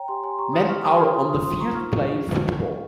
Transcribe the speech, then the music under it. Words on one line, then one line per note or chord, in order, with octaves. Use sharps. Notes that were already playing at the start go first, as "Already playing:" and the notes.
Men are on the field playing football.
Already playing: C#5 G5 A#5
G4 G#5 C6
C#5 G#5 C6
G4 A#5 C#6
C#5 C6 D#6
G4 C#6 F6
G4 C6 D#6
A#4 C#6 F6
F4 C6 D#6
C5 C6 D#6
C5 C6 D#6
F4 A#5 C#6
D#4 C#6 F6